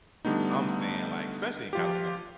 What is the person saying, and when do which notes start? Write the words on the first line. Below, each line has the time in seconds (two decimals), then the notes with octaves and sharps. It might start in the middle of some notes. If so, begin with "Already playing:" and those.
I'm saying, like, especially in California,
0.25 D3 G3 A3 B3 D#4
1.73 F3 F4 G4